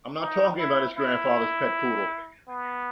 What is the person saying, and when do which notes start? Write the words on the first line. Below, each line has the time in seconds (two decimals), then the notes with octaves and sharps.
I'm not talking about his grandfather's pet poodle.
0.20 D#4
0.58 E4
0.96 E4
2.48 B3